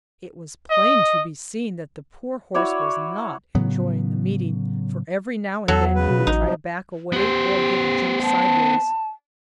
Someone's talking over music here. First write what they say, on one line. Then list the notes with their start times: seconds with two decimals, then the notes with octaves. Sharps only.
It was plain to be seen that the poor horse was not enjoying the meeting, for every now and then he would try to back away, or give a jump sideways.
0.71 D#5
2.54 E4 F#4 C#5 D5
3.55 A2 C#3 F#3 B3
5.68 E2 F#3 A4
5.95 C#3 B4
6.10 B2
6.27 A1 D#4
6.41 C3 F3
7.13 B3 G4 C5
8.22 A5